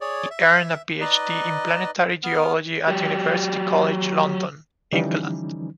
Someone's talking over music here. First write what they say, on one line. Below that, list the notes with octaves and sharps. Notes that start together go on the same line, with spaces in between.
He earned a Ph.D. in planetary geology at University College London, England.
G#4 C#5 D5
E5
D#4 B4 D5 D#5
B3 F6
F#3 G4
D3 E3 F3 G3 C#4 D#4